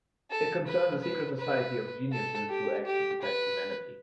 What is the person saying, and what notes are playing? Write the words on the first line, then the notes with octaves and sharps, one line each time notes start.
It concerns a secret society of geniuses who act to protect humanity.
A4
B4
B4
B4
A4
G4
G4
B4